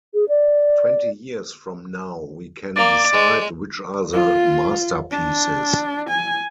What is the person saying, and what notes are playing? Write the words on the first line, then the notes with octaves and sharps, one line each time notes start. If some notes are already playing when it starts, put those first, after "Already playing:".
Twenty years from now we can decide which are the masterpieces.
G#4
D5
A#3 D5
G#3
F4
D4
G#5